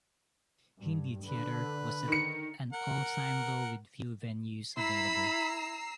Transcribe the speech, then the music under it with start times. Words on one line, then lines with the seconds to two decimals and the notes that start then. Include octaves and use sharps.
Hindi theatre was at an all-time low with few venues available.
0.81 G2
1.26 D3 B4
2.08 D#3 C#7
2.73 A#4 F#5
4.77 E4 A#5 B5 E6 C7